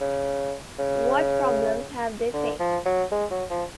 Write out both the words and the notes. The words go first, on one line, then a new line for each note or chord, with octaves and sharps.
What problems have they faced?
C#3
C#3
D3
F3
F#3
G#3
F#3
F3